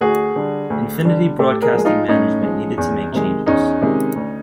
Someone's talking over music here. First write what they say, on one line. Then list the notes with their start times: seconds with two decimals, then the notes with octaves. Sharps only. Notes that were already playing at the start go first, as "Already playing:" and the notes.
Infinity Broadcasting management needed to make changes.
0.01 D2 F#4 G#4
0.36 D3 G3
0.70 D2
1.05 D3 G3
1.39 A2 G4 A4
1.62 G#4 A#4
1.74 F3 G#3
1.85 D#4 F4
2.08 A2 C#4 D#4
2.42 F3 G#3
2.78 E2
3.12 C3 D#3 G#3
3.46 E2 C#4 D#4
3.81 C3 D#3 G#3
4.15 D2